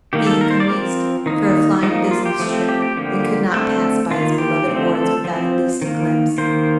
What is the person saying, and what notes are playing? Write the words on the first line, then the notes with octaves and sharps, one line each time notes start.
He had come East for a flying business trip, and could not pass by his beloved wards without at least a glimpse.
D#3 A#3 G4
A4
A#4
C5
D5
F3 C4 A#4
D#3 A#3 D#4
F3 A#3 D#4
F4
G4
F3 A3 C4
G4
G4
D3 F3 A#3 G4
D3 A3 C4 A4
D#3 A#3 F4
G4
D3 F3 A3 C4
A4
F3 C4
D#3 A#3
D#3 A#3 C5